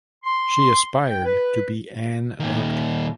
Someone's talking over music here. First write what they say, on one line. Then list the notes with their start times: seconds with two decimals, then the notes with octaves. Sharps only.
She aspired to be an doctor.
0.24 C6
1.07 G5
1.24 B4
2.40 A#2 D#3